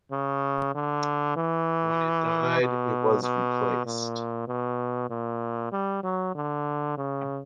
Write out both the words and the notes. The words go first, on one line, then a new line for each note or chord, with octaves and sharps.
When it died, it was replaced.
C#3
D3
E3
B2
B2
A#2
B2
A#2
G3
F#3
D3
C#3